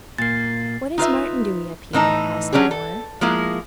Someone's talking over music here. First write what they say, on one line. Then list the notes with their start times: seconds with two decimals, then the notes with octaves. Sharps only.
"What is Martin doing up here?" asked Moore.
0.18 A#2 A#3 A6 C7
0.98 D#4 F4 B4 E5
1.93 A2 E3 D#4 A5
2.53 F#3 C#4 D4 G4 G#4
2.71 A4
3.21 F3 G#3 A#3 E4